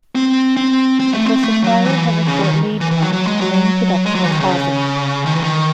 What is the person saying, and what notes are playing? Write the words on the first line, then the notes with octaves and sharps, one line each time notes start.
If the supplier has a short lead time, lean production is possible.
C4
C4
C4
A3
C4
A3
F#3
E3
C#3
D#3
E3
E3
F#3
F#3
G#3
F#3
G#3
F#3
E3
D#3
C#3
D#3
E3
D#3